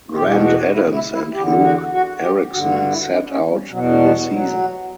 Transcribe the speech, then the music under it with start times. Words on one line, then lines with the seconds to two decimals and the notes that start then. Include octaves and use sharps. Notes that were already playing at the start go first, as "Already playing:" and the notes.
Grant Adams and Luke Erickson sat out the season.
0.15 E2 B2 G4
0.44 F#4
0.74 E4
0.94 E4
1.14 E4
1.34 E2 D3 G4
1.63 F#4
1.93 F#4
2.22 G4
2.52 G2 D3 F#4
2.72 F#4
2.92 E4
3.11 D4
3.31 C#4
3.51 G3
3.70 E2 B2 F#3
4.00 G3
4.30 F#3